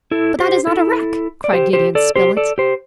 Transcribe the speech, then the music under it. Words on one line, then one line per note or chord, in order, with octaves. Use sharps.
"But that is not a wreck!" cried Gideon Spilett.
E4 A4
G4 C5
E4 A4
D5
G4 C5
G4 C5
A4 D5
G4 C5
A4 D5
G4 C5